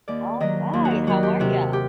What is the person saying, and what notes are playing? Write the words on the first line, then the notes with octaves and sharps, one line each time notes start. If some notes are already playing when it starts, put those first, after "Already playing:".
All right, how are ya?
D#2 D5
D#3 F#3 D#5
D#2
F#4
D#4
D#3 F#3 F#4
G4
C3 F#4
G4